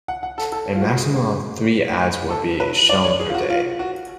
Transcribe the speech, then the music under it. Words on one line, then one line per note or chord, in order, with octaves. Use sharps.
A maximum of three ads would be shown per day.
F#5
F#5
A4
A4
F4
F#4
F#4
G#4
A4
B4
D5
C#5
G#4
F4
F#4
F4
F#4